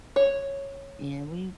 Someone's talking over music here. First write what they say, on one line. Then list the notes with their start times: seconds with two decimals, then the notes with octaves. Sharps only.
and we
0.16 C#5